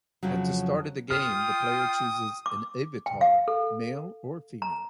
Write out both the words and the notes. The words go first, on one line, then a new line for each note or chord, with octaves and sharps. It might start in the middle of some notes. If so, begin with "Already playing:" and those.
At the start of the game, the player chooses an avatar, male or female.
F2 C#3 F3 F#3
F4 G5 D#6 F6
D6
G5
F5
A4
A#5